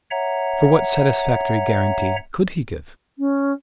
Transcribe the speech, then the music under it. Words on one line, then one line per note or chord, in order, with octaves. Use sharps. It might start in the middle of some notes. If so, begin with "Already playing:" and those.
For what satisfactory guarantee could he give?
C#5 E5 F#5 A#5
C#4